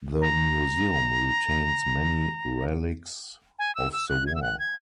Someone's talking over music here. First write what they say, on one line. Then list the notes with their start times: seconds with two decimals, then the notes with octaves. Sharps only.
The museum retains many relics of the war.
0.21 A#5
3.59 G#5
3.75 E6
3.93 E6
4.09 F#6
4.27 G#6
4.35 E6
4.42 F#6
4.59 G#6